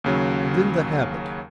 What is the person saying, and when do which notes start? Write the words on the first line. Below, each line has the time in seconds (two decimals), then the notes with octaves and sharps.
And then the habit!
0.04 D#2 C#3 F#3